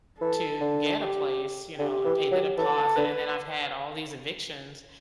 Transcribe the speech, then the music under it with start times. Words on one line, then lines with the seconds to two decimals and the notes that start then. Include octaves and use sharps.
to get a place, you know, and pay the deposit, and then I've had all these evictions.
0.21 E3 A4
0.61 D3
1.00 G4
1.78 D3 G4
2.05 E3
2.31 F#3
2.57 E3 A4
2.96 D3 B4